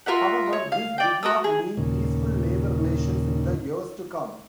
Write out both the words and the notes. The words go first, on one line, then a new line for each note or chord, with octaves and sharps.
However, this did not mean peaceful labor relations in the years to come.
F4 A#4 E5 F#5
C#5
F5
D5 G5
F#4 A#4 D#6 E6
G#4
D#2 A#2 C#3